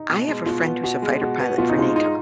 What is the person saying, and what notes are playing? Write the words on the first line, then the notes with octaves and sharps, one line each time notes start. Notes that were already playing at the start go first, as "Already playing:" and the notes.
I have a friend who's a fighter pilot for NATO,
Already playing: D#4
B2
G#3
B2 F4
B3
B2 F#4
G#3
B2 F#4
B3
B2 F4
D#4
G#3 F4
D#4